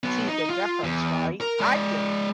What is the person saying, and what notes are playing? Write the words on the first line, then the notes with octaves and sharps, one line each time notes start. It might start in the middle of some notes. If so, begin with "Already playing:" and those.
see the difference, right? I didn't.
F#3 B3
D#4
F4
E2
A#4
G#3 D5